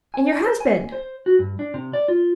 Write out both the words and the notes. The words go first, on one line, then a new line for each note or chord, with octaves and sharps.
And your husband?
G#5
C5
G#5
C5
F#4
G2
D4
C3
D5
F4